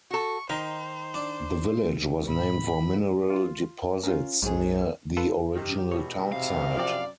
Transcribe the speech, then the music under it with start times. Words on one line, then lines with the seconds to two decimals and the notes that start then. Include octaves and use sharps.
The village was named for mineral deposits near the original town site.
0.11 F#4 A4 C#6
0.50 D#3 D#4 C5
1.14 D4
2.28 A2 B5
3.30 F4 C6
4.03 C#4 F4 A#4
4.42 B1 G#2 F#3 C4 G#4
5.17 F4 A4 B4
5.55 C3 D#3 G4
5.92 E2 G#2 B2 C#5
6.32 C3 F5
6.77 F#2 F3 C4 D5